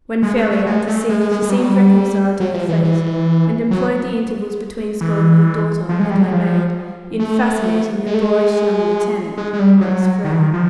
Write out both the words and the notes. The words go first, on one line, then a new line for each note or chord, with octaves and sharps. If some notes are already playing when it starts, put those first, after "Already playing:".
When fairly out to sea she seemed reconciled to her fate, and employed the intervals between scolding her daughter and her maid, in fascinating the boorish young Lieutenant, Maurice Frere.
G#3
A3
A3
G#3
A3
G#3
G#3
G#3
G#3
G3
F#3
G3
F#3
F3
E3
E3
F#3
E3
F3
G#3
G3
F#3
F3
A3
G#3
A3
G#3
G#3
G#3
G3
F#3
D#3
E3
D#3
F3